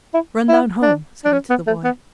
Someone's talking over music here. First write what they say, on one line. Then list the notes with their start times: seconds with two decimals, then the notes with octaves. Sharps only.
"Run down home," said he to the boy.
0.14 E4
0.49 E4
0.82 D4
1.25 D4
1.32 C#4
1.50 B3
1.67 A3
1.84 B3